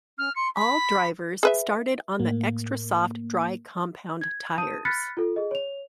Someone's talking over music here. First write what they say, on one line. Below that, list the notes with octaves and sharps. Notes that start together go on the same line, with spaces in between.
All drivers started on the Extra Soft dry compound tyres.
C#4 F6
C6 C#7
B5 B6
G#4 B4 E5
A2 A#3
G#6
A5 D#6 G6 D#7
B5 F6 F#6 A6 B6 C#7
F4 A4
G#4 D#5
C#5 F7